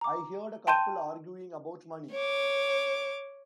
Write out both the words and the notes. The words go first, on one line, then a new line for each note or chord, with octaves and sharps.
I heard a couple arguing about money.
A#5 D6
G5 A5 C6 G6 D#7
C#5 D6